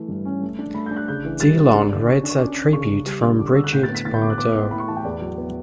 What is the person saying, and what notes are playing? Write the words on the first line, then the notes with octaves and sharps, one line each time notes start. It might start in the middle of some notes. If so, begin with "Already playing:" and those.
Delon read a tribute from Brigitte Bardot.
Already playing: E3 A3
G2
C#4
A3
D4
A3 B5
D4 G6
F#6
C#3 G6
E3
G3 A6
C#3
D4
D3
D3 C#6
D4
C#6
C#4 D6
C#4
C#3 C#6
C#3
G3
D4
D3 D6
C#6
D3 E6
F#6
A2 G6
A6
B3
B6
A2 A6
G6
A2 D6
F#6
B3 D6
A2
A2 B5
C#6
E3 A5
G5
E2 D5
F#3
B3